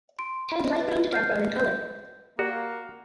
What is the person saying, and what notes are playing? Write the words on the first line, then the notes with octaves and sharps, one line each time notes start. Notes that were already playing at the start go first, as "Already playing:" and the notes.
Head light brown to dark brown in color.
C6 D7
D#5
B4 A6
F6 G6 C7
G6
A#3 F#4 G4 D5